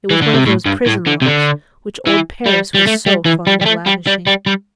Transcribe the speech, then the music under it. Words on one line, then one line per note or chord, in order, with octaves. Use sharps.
It was one of those prison locks which old Paris was so fond of lavishing.
E3
D3
C3
A2
G2
A2
D3
C3
D3
E3
G3
G3
A3
G3
E3
G3
G3
A3
G3
G3
G3
G3